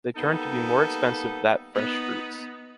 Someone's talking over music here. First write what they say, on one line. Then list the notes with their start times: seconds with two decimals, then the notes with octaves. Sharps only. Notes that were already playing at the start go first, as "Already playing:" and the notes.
They turn to be more expensive that fresh fruits.
0.16 G3 A#3 B3 D#4 A4
1.74 B3 D#4